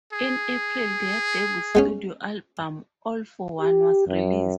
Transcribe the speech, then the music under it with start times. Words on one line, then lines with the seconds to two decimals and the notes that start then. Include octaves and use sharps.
In April, their debut studio album "All for One" was released.
0.13 G#4
1.75 G#3 B3 C#4
3.61 G4
4.08 F#2